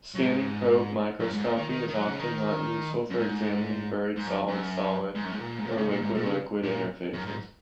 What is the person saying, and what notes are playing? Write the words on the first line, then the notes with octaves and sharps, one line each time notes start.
Scanning probe microscopy is often not useful for examining buried solid-solid or liquid-liquid interfaces.
F#2
G#2
F#2
G#2
A#2
D#3
D#3
D#3
F#3
C#3
D#3
F#2
G#2
G#2
F#2
F#2
G#2
F#2
G#2
A#2
G#2
A#2
C#3
A#2
G#2
A#2
C#3
A#2
F#2
G#2